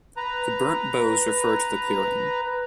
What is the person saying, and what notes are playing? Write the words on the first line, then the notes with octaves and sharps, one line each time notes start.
The burnt boughs refer to the clearing.
B4 A#5